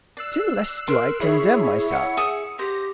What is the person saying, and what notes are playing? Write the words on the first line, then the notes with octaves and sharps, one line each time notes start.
Still less do I condemn myself.
D5 E6 F#6 C7
A#4 C6
E4 G#4 C#5 E5
F#5
G#4 E5 D#6 C#7
G4 C5 A#6